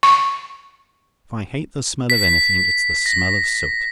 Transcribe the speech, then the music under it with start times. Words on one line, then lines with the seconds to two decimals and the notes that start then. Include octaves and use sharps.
If I hate the smell of anything, it's the smell of soot.
0.03 C#6
2.10 B6
3.06 A#6